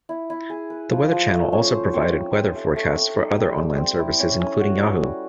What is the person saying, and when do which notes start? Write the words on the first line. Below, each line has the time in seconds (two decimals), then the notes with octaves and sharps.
The Weather Channel also provided weather forecasts for other online services including Yahoo!
0.09 E4
0.30 E4
0.50 G#4
0.70 B4
0.91 F3
1.11 F3
1.33 A3
1.52 C#4
1.74 C5
1.93 C4
2.14 D#4
2.35 G4
2.55 A3
2.76 A3
2.97 C4
3.17 D#4
3.37 G4
3.57 G3
3.78 C4
3.99 E4
4.19 C#4
4.40 C#4
4.61 F#4
4.81 A4
5.01 G3